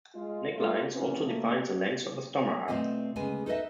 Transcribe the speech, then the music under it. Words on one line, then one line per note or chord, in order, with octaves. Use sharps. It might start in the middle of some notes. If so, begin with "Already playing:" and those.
Necklines also defined the length of a stomacher.
G#3 F4
A3 A#3 F4
C#3 E3 F#3 C4 C#4
C#3 A3 A#3
B2 A3 C4 F4 D5 D#5
D2 C#3 G#3 B3 G#4 G#5
D#4 A4 B4 C5 D#5 E5